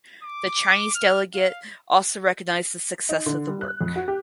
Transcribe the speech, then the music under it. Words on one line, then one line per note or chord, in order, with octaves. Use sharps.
The Chinese delegate also recognized the success of the work.
D6
F6
F5
D#4
D3
G3
F#6
F2
F#4
G4